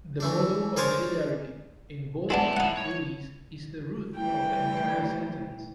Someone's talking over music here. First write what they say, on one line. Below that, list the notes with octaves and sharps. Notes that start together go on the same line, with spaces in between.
The modal auxiliary in both trees is the root of the entire sentence.
E3 A3 D4
D4 G#4 A#4 C5 C#5 A5
G#3 B3 D4 E4 A5
D#4 F#5
C#5
E3 G3 A3 E4 G5